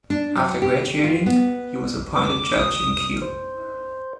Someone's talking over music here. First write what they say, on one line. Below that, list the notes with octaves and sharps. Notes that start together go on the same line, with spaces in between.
After graduating, he was appointed judge in Kiel.
D4
F#3
G4
F4
B3
D6
D#6
C5